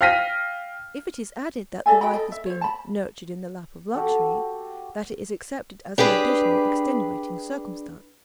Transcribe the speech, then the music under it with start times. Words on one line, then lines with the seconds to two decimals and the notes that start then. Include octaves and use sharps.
If it is added that the wife has been "nurtured in the lap of luxury," that is accepted as an additional extenuating circumstance.
0.01 F5 G5 F6 A#6 B6 D#7
1.86 A4 D5 E5 G#5
2.01 F#4 D#5 G5 B5
2.13 A4 D#5
2.32 E5
2.46 C5 C#5
2.61 A5 B5
3.93 F#4 G4 A4 F#5
5.98 D4 G4 G#4 B4